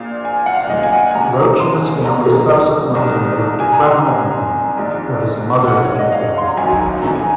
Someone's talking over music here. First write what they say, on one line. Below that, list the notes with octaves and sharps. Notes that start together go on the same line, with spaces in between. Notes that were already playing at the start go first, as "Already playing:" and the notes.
Roach and his family subsequently moved to Framlingham, where his mother had been born.
Already playing: A#1 A#2 F5
G#5
F#5
F5
F#5
D#5
G#5
F#5
G#5
D#2 C#3 A#5
C6
A#5
C2 C3 D#3
G#5
A#5
C6
A#1 G#2 D#3
F#5
C#5
D#5
F5
C6
A#5
G#1 F#2 D#3 G#5
A#5
G#5